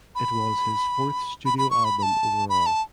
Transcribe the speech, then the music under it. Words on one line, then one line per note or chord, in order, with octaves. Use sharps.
It was his fourth studio album overall.
B5
B5
B5
C#6
B5
B5
A5
B5
A5